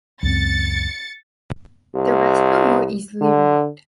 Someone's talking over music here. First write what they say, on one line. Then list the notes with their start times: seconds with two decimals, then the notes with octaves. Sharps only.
The rest were more easily removed.
0.23 C#2 F#2 C4 A6 C#7
1.95 C2
3.21 D3